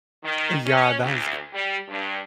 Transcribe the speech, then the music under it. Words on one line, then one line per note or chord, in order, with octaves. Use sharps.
Yeah, that is c
D#3
C#4
D2
G3
G2